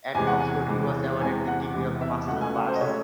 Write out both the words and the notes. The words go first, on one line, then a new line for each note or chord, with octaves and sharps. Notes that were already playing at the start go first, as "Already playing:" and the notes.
At Oxford he was awarded the degree of a Master of Arts.
E2 C3 E3 G#3 G#5
F#5
G#5
E2 C3 E3 G#3
E2 C3 E3 G#3 G#5
F#5
E2 C3 E3 G#3
E5
C#2 C#3 F#3 A3 F#5
G#5
F#5
C5
D#5
C#3 F#3 A3 C#5